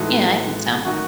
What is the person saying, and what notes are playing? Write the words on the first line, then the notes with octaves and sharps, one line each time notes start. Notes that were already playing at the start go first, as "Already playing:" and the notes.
Yeah, I think so.
Already playing: A2 E3 G#3 D#4 F#4 A4
D#3 F#3 A3 D#4 F#4